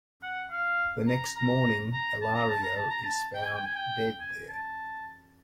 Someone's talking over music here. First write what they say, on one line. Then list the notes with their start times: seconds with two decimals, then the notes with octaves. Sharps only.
The next morning Ilario is found dead there.
0.23 F#5
0.51 F5
1.08 A#5
1.36 A#5
1.93 A#5
2.22 A5
2.36 A#5
2.49 A5
2.63 A#5
2.76 A5
2.90 A#5
3.04 A5
3.35 G5
3.45 G#5
3.55 G5
3.66 G#5
3.76 G5
4.20 G#5
4.48 A5